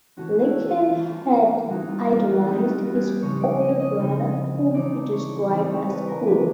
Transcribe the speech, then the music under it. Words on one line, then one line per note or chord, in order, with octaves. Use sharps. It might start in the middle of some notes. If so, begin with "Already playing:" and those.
Larkin had idolized his older brother, whom he described as "cool".
E3 A3 C#4 F#4
E4
F4
E3 A3 C#4
E3 G3 C4 D#4 F#4
F4
F4
F#4
E3 G3 C4 D#4 G4
F4 F#4
F#4
G#4
G4
C#3 F3 G#3 C4 D#4 C#5
D5
D#5
D#5
C#3 F3 G#3 C4 D#4
E3 A3 C4 D#4 D5
C#5
E3 A3 C4 D#4 C5
C#5
B4
A#4
F3 A#3 D4 B4